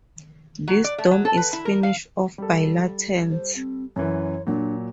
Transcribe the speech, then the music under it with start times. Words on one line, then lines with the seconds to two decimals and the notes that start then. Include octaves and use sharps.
This dome is finished off by lanterns.
0.68 F#3
0.84 D5
0.98 A3
1.11 F#3
1.25 A4
1.37 B4
1.53 E4
1.65 A#4
1.83 F5
2.38 G3 A4
3.31 C5
3.56 C4
3.96 F#2 E3 C#5
4.47 A#2 F#3 D4